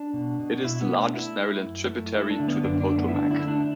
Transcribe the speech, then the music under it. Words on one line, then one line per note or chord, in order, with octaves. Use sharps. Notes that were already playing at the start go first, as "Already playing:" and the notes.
It is the largest Maryland tributary to the Potomac.
Already playing: D4
B2
B2
B2 E4
B3
A3
D4
A3 E4
A3
F#2
A3
A3 E4
D4
D3
B3
F#2 D4
D4
A3
B3
E4
D3 D4
E4
A3
D4